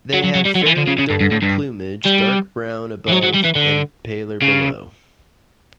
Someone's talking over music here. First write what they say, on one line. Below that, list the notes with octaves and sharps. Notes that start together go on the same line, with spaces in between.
They have fairly dull plumage, dark brown above and paler below.
F#3
F#3
F#3
G3
F#3
D3
E3
D3
C#3
C#3
G2
G2
A2
G2
G3
E3
F#3
F#3
G3
E3
D3
C#3